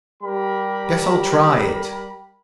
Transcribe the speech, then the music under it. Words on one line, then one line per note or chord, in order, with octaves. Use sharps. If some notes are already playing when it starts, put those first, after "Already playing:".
"Guess I'll try it."
G3 G4 A#4 B5